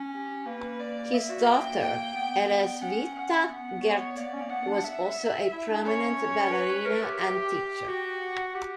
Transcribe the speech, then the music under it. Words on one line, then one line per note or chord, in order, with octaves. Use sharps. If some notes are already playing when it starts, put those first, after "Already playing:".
His daughter Elisaveta Gerdt was also a prominent ballerina and teacher.
Already playing: C#4
G4
A#3 B4
D5
A#3 E5
F#4
A#3 G5
G5
B3
G5
C#4 F#5
F#5
B3 F#5
C#5
A#3 D5
B3
C#4
A#3
B3 F#5
D4
E5
E4
D4
C#4 C#5
B4
A#4 E5
G4
G4 G5
G5
F#4
F#5
G4